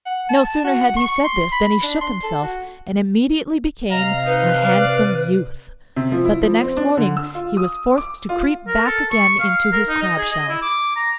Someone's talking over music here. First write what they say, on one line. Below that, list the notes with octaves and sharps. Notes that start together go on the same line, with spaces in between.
No sooner had he said this than he shook himself, and immediately became a handsome youth, but the next morning he was forced to creep back again into his crab-shell.
F#5
A5
F#4
F#5
C#6
C6
B5
D4
C6
A4
F#4
C3 D#5 F5 A#5
D#4 B4
D5
C3
F3
E4
F3
C4
D4
D3
E6
F4
D#6
D6
F4
A#4
A4
C#6
F5
A#4
D#4
D#5
G#4
D#5
E4
D6
A#5